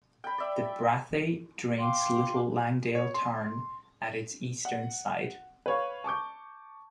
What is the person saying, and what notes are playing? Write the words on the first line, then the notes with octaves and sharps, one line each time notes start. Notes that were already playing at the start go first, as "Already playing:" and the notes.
The Brathay drains Little Langdale Tarn at its eastern side.
G5 B5
D5 E5
F5 G5 C6 D6
C#5
C6
F#5
B4 C#5 F5
A5 C#6 D6 G6